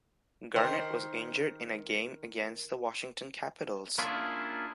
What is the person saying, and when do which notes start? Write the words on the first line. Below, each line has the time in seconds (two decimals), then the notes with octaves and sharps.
Garnett was injured in a game against the Washington Capitals.
0.56 D#3 A#4 C5 G5
3.98 A#3 C#4 D4 E4 F4 G#4